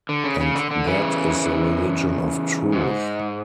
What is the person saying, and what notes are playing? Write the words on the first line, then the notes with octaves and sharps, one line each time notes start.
And that is the Religion of Truth.
D3
C#3
C#3
D3
D3
C#3 E3
G#2